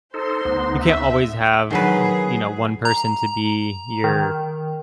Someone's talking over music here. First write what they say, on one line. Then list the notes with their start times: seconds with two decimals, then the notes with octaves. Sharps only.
you can't always have m you know, one person to be your,
0.14 D#4 A4 C5 C6
0.45 D2 B3 D#4
0.80 E5
1.71 D#3 F#3 G#4 B4
2.85 A#5
4.04 D#3